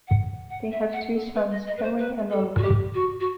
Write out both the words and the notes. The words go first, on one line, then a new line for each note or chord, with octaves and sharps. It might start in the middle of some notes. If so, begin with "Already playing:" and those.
They have two sons, Henry and Oliver.
F#5
F#5
E5
F#5
A4
B4
D#5
D#5
B4
C5
B4
A4
F#4
G4
F#4
F#4